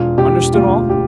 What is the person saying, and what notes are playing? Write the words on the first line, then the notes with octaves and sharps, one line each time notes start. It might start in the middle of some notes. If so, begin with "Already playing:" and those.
Understood all?'
Already playing: E1 F4
E1 G4
D2 F4
G4